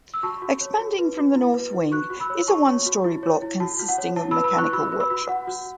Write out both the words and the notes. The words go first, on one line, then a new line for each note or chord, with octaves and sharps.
Expanding from the North Wing is a one-story block consisting of mechanical workshops.
E6
F#4 A5 C#6
F#4
C#5
F#4
B4
F#4
E4
B4
E4
F#4 C#6 F#6
F#4
B5 E6
C#5
F#4 A5 C#6
C#5
F#4
E4
C#5
E4
F#4 A5
F#4
F#5
C#5
E4 A5
B4 B5 E6
B5 E6
E4 C#6 F#6
F#4 B5 E6
B4
B5 E6
F#4
F#4 F#5
F#4